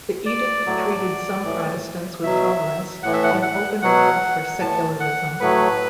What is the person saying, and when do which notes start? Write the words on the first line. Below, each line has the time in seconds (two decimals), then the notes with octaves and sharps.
The Edict treated some Protestants with tolerance and opened a path for secularism.
0.26 D5
0.66 A2 F#3
1.45 A2 E3
2.23 B2 F#3 E5
3.03 A2 E3 F#5
3.13 E5
3.23 F#5
3.42 F#5
3.82 B2 F#3 F#5
4.61 A2 E3 A5
5.00 F#5
5.40 A2 F#3 B4